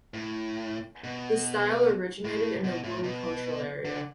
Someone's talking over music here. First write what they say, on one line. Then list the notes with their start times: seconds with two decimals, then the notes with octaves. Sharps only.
The style originated in the Wu cultural area.
0.14 A2
1.04 B2
2.25 A2
2.64 B2
2.84 A2
3.04 B2
3.85 D3